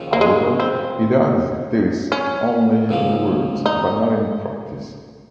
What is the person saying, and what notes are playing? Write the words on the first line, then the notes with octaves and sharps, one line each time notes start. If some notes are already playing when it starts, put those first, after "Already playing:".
However, it does this only in words, but not in practice.
Already playing: D#2 C#3 F3
A#3
G#3
C4
C#4
C#2 C#3 F3 A#3
D#4